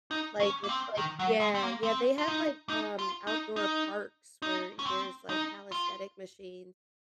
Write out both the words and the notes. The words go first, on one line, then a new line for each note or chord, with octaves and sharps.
like, it's like yeah, yeah, they have, like, um, outdoor parks where there's, like, calisthenic machines,
D#4
C#4
A#3
C4
D#3
F#3
G#3
C4
A#3
C4
F4
D#4
D#4
F4
D#4
D#4
D#4
C#4
C4
D#4
F4